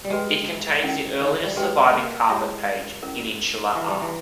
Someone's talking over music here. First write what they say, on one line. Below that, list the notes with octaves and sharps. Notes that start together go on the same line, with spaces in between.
It contains the earliest surviving carpet page in Insular art.
G3
G#3 G4 B4 G5
C#4 E4 A#4
D#3
E3
G3
G#3 D#4 G4 B4 G5
G#3
A#3
G#3 E4 G4 C#5 G#5
C#4 E4 A#4
E3 B4 E5 A#5 C#6
G3
E3